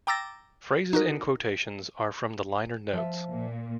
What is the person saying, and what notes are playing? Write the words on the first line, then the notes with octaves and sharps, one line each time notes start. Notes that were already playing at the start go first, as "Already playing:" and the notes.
Phrases in quotations are from the liner notes.
G5 A#5 D6 E6 A6 A#6
D#4 F#4 A#4
F3 E5
A#2